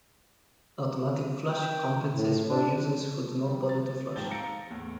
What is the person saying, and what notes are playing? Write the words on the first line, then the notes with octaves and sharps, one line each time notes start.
Automatic flush compensates for users who do not bother to flush.
G5
A2
D4
G3
A6
G#2 F3 G4 A5 A6 G7
F5 A#5 E6 A#6 C#7 D7
E2 A2